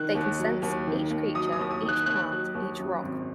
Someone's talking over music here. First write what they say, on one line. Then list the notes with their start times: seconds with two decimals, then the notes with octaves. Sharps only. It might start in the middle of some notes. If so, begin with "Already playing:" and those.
They can sense, each creature, each plant, each rock.
Already playing: D#3 F#6
0.14 D#2
0.39 F#3
0.62 D#2
0.87 D#3
1.10 D#2
1.34 F#3 D#6
1.52 D#6
1.59 D#2
1.71 D#6
1.83 D#3
1.89 F#6
2.06 D#2 F#6
2.31 F#3
2.54 D#2
2.79 F#2
3.02 G#1